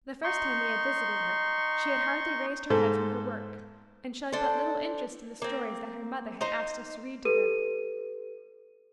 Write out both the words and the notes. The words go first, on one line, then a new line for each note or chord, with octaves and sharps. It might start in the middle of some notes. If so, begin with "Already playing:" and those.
The first time we had visited her, she had hardly raised her head from her work, and showed but little interest in the stories that her mother had asked us to read to her.
D#4 C6 C#6
G#2 A4 C5
D4 A4 C5
A#3 C4
D#4 C5 A#5
G4 A4 B4 D#7